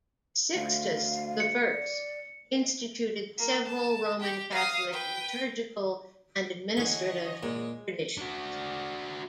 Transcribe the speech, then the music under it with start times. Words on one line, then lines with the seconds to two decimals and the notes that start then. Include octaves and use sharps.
Sixtus I instituted several Roman Catholic liturgical and administrative traditions.
0.55 D2 F5
1.40 C#7
1.72 D5
3.38 A#3
3.67 A5
4.21 G4 G5
4.52 F5 D#6
4.91 B4 G5
6.77 D3 E3 G#4 C#5 D#5 C#6
7.43 A#2 G#3
8.18 D4 F#4